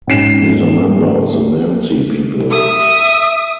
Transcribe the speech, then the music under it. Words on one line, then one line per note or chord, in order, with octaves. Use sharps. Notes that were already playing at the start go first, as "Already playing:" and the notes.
He is a member of the Mansi people.
G#2 C#4 C7 E7
E5 D#6